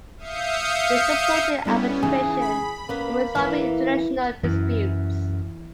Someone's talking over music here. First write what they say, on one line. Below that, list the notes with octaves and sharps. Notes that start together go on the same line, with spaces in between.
He supported arbitration in resolving international disputes.
E5 F5 D#6 G6 C#7
G3 B3 C#4 D4 E4 A4
C#3 E3 C#4 D#4 G#4
B5
A#3 B3 C#4
E3 B3
F#2 E3